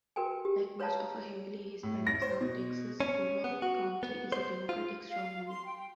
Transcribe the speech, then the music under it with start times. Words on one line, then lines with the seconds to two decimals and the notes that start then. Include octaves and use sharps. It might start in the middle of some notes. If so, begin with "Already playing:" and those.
Like much of heavily Hispanic South Texas, Duval County is a Democratic stronghold.
0.16 F#4 A#4 B4 G5 G#5
0.45 G4
0.80 B4 C#5 F5 A5 A#5
1.83 A2
2.07 A#6
2.22 C5
2.41 B2
3.00 C#4
3.44 B3
3.62 F#4
4.03 B3
4.32 C5
4.69 F4
5.09 F5
5.47 C6
5.66 G5